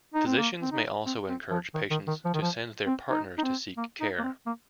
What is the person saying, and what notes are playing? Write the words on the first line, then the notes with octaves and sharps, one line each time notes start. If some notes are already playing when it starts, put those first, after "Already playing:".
Physicians may also encourage patients to send their partners to seek care.
D#4
C4
A#3
C4
D#4
C4
C4
F3
D#3
D#3
D#3
F3
D#3
F3
C4
D#4
D#4
C4
A#3
D#4
A#3
C4
A#3